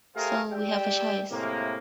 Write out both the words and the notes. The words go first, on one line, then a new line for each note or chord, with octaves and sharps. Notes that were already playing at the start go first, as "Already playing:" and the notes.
So—we have a choice.
A3 G4 G#4 A#4 C5 F5
G4 D5 E5 G5
A2 C3 G#3 A#3